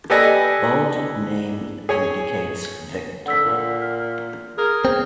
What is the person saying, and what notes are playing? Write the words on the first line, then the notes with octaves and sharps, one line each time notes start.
Bold name indicates victor.
G4 A4 B4 D5 D#5 G#5
G#4 C#5 G#5
D3 F#5 E6 B6
A#2
F6
G#4 A#4
C4